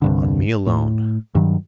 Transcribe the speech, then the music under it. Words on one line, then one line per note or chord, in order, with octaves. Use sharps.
On me alone.
C2 G2 D3
A2
G2 D#3 F#3